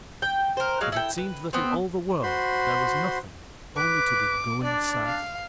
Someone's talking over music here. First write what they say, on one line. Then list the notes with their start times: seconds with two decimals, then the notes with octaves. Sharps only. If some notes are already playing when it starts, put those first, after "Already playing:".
But it seemed that in all the world there was nothing only to be going South.
0.22 G5
0.57 A#4 C5
0.81 F#3 G#3 F5
0.92 E4 A4 G5
1.18 B4
1.53 B3 C4
2.23 F#4 C5 B5 C6
3.76 B4 D6
4.64 D4 D5
5.06 F5